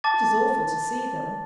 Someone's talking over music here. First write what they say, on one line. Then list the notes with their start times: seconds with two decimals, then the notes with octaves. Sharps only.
It is awful to see them.'
0.04 A5 D6 A6